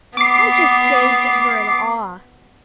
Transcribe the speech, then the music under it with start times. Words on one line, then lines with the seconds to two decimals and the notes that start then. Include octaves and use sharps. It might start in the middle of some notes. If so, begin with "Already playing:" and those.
I just gazed at her in awe.
0.17 B3 D6 C7